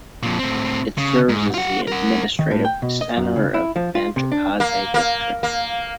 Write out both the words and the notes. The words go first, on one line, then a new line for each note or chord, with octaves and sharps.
It serves as the administrative center of Manjacaze District.
F2 A#2
A2 C4
C#3
G#2
F4 F#5
A#4 F#5
D#3
A2
G5
B2
D#5
F#2
C#3
E4
F3
F4
C3
D4
A#3
A#3
A#3